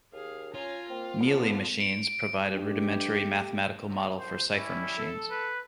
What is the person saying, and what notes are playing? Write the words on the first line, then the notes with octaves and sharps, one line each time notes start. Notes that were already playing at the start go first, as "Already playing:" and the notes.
Mealy machines provide a rudimentary mathematical model for cipher machines.
D#2 G#4 F5
C#4 F4 G#5 A#5
A#3 C4
F2 F3 B3 D4
D7
G2 A3 G4
F#2 C3
A#1 F2 C5
G3 C#4 E4
A4
B4